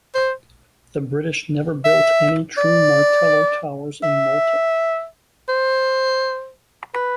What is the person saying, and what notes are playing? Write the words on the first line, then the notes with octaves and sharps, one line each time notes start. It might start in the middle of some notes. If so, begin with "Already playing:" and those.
The British never built any true Martello Towers in Malta.
C5
E5
D5
E5
C5
B4